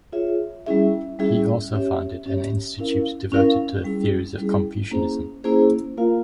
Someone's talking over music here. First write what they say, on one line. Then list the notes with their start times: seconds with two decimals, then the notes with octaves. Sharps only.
He also founded an institute devoted to the theories of Confucianism.
0.12 F4 G#4 C#5 E5
0.66 G3 C#4 E4 G#4 E5
1.19 G3 C#4 E4 G#4 E5
1.72 C#4 G4 C#5 E5
2.26 C#4 G4 C#5 E5
2.79 C#4 E4 A#4 F5
3.32 C#4 E4 A#4 F5
3.85 G3 C#4 E4 G#4
4.38 G3 C#4 E4 G#4
4.91 A#3 C#4 E4 G#4 C5
5.44 A#3 C#4 E4 G#4 C5
5.97 A#3 F4 A#4 F5